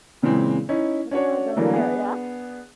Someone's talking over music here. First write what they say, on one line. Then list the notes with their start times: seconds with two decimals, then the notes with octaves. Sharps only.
Let's not go there, yeah.
0.22 A#2 C#3 E3 G#3 C4
0.69 C#4 D#4 E4
1.11 C#4 D4 F#4 C#5
1.56 D3 E3 F#3 G3 A3 A#3
1.73 B3 D4 G#4